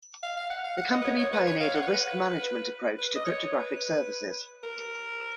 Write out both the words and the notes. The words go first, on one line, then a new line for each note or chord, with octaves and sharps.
The company pioneered a risk management approach to cryptographic services.
F5
F5
F#5
F5
F#5
D#5
B4
C#5
C#5
B4
C#5
F5
F#5
C#5
B4
B4
D#5
C#5
B4
A#4